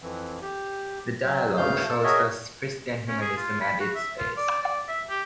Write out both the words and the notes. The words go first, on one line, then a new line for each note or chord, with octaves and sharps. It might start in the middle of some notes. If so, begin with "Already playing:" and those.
The dialogue shows us Christian humanism at its best.
F2 E3
G4
F#3
D2 G2 C#3 A3 F5 G6
A#3 A4 A5
F#4 G#4 A#4 C#5 D#5 E5
C#4
G#4
F4
B5
F#4
E5
F4
D5
D5
E5
G4